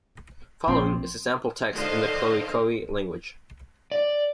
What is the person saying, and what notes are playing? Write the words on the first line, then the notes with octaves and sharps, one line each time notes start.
Following is a sample text in the Khoekhoe language.
A#1 C4 C6
D3 D#3 C5 D#5 F5
D5